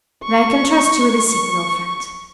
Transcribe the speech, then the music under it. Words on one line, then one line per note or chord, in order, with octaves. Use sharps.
But I can trust you with a secret, old friend!
C#6
C#6